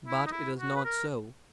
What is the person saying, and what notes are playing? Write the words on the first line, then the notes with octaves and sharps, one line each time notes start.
But it was not so.
E4
D#4
E4
F#4
B4
A#4